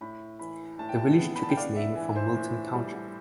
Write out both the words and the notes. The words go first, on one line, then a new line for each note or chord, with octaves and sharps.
The village took its name from Milton Township.
A2 B5
E3 B5
A2 A5
G5
A5
B3
B5
A5
G5
D4 F5
E5
E3
C5
A2
G3